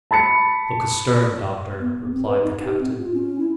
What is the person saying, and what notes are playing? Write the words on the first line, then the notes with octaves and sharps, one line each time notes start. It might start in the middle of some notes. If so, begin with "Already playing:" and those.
"Look astern, doctor," replied the captain.
A5 B5 A6 C#7
B3
C4
B4
D#4
G4
C4
F4
C#4
E4